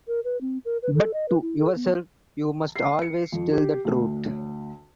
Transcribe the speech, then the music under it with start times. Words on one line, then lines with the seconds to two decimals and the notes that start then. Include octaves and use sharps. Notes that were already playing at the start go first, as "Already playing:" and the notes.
But to yourself you must always tell the truth.
0.08 A#4
0.24 B4
0.41 C4
0.65 A#4
0.82 B4
0.95 A4
1.13 D#5
1.28 B4
1.42 E4
1.58 A4
1.75 B3
2.76 C7
3.02 C#7
3.32 F2
3.53 G4
3.85 D2